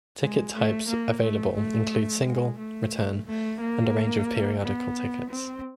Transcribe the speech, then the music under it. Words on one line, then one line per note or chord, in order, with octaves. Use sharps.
Ticket types available include single, return, and a range of periodical tickets.
G#3
A3
A#3
A3
A3
G#3
A3
A3
A#3
B3
C4